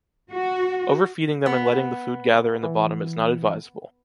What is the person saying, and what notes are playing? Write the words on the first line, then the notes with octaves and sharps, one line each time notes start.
Overfeeding them and letting the food gather in the bottom is not advisable.
F#4
B3
E3